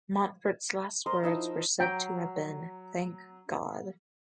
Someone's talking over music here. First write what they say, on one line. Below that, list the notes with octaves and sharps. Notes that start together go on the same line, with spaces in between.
Montfort's last words were said to have been "Thank God".
A#4 C5 D#5 C6
F3 D#4 E4 E6
F#3 G5 A#5